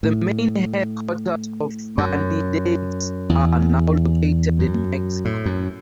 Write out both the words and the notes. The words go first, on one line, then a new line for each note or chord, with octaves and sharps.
The main headquarters of "Vanidades" are now located in Mexico.
A2
F#2
E2
F#2
A2
F#2